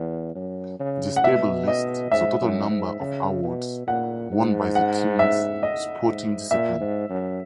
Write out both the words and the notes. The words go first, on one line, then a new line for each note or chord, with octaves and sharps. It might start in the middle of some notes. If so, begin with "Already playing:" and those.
This table lists the total number of awards won by the teams sporting discipline.
Already playing: E2
F#2
C#3
F#5
B2 E5
D#5
G#2 E5
F#2
G#2
C#3
B2
A#2 F#5
G#2
F#5
E5
D#5
G#2
A#2 E5
G#2
F#2